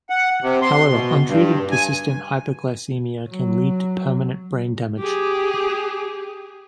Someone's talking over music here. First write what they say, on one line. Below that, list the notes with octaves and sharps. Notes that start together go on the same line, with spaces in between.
However, untreated persistent hypoglycemia can lead to permanent brain damage.
F#5
C3
C6
B2
G2
G#5
F#3
G4 G#4